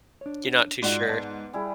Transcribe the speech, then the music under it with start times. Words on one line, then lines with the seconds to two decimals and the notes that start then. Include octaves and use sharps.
You're not too sure.
0.21 D4 C#5
0.82 G#2 F4 F#4 D5 F#5
1.08 B3 A5
1.53 G3 E4 G#4